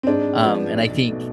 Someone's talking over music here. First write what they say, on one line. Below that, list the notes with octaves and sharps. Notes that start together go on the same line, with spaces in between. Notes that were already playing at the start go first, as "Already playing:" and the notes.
Um, and I think
C4
G#2 D4
F3 B3
B1
B2 A3